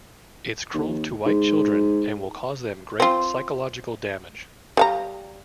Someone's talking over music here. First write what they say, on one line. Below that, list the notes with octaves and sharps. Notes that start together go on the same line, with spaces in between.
It's cruel to white children and will cause them great psychological damage.
D#2
G#2
C4 F4
G3 F5 A#5